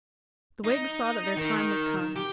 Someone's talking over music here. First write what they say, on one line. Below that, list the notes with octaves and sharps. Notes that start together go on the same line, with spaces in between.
The Whigs saw that their time was come.
D#4
D#3
G4